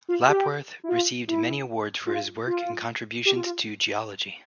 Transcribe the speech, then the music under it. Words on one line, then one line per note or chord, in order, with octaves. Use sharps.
Lapworth received many awards for his work and contributions to geology.
F4
G4
E4
F4
E4
F4
F4
G4
F4
F4